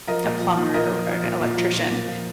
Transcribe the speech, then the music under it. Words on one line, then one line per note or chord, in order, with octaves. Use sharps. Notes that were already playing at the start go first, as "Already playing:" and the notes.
a plumber or a an electrician,
F3 A#4 D#5
A#2
F3
A#2
F3 A#4 D#5
F3
F3
A#2
A#2
F3
A#2
A#2
F3